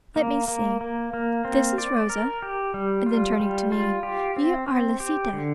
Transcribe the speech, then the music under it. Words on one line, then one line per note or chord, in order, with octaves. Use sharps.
Let me see, this is Rosa," and then turning to me, "You are Lisita.
A#3
A#3
A#3
A#3
C4
D5
A#4
G4
G3
F4
G3
F4
G4
C4
C4
G4
D3